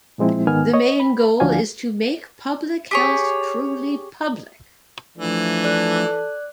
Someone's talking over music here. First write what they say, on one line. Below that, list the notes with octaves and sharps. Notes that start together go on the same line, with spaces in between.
The main goal is to make public health truly public.
A#2 F3 G#3 C4 E4
G#2 D#3 B3 G#5 F6
C#5 D#5
B5
D2 F3 D4 F#4 F5 G#5
G4 G#4 C#5
E3 F3 A3 D4
A4 D5 F#6